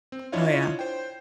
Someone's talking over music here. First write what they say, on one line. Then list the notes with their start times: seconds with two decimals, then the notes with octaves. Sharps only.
Oh, yeah.
0.12 C4
0.32 D4 E4 F4 C#5 D#5 F5
0.79 C5 G5